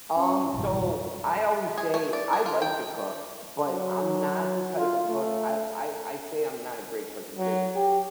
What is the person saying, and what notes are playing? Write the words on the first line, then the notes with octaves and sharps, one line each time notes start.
Um, so I always say I like to cook, but I'm not the type of cook I I I say I'm not a great cook because
C#4
G#1 F2 B2 E3 G3
G#4
A3
D5
G#4
F4
G5
F#3
F4
A3
F#3
G4